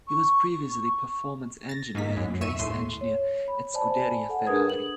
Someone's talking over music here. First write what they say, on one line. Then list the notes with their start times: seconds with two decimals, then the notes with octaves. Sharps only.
He was previously Performance Engineer and Race Engineer at Scuderia Ferrari.
0.07 C#6
1.69 A6 A#6
1.95 G#2 A#3 D#4 B6
2.17 F#2
2.41 D#2 E5 C#6 D#7 E7
2.59 D#2 A2 C6
3.01 C#5
3.48 B5
3.74 C5 D5 G#5 A5 B5
4.29 A4 F#5
4.46 D4 G#4 A#4 B4 D#6 G#6
4.70 F#7